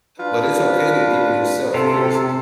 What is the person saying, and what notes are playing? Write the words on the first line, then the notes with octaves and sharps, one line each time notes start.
but it's okay to give yourself criticism,
D4 F4 B4
C3 A4